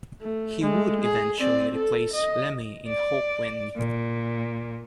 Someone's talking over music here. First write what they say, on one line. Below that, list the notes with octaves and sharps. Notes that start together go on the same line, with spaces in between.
He would eventually replace Lemmy in Hawkwind.
A3
G#3 A3
G#4
C4 D5
A4
D#5
D5
A#2